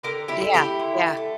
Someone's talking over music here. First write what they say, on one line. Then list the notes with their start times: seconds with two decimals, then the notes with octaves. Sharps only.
Yeah, yeah.
0.03 D3 G4 A#4
0.28 E4 G4
0.41 A3
0.54 E4 G4
0.79 D3
1.17 A3